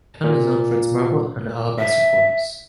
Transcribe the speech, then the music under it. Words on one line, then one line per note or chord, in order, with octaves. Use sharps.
The town is known for its marble and alabaster quarries.
A#2
E5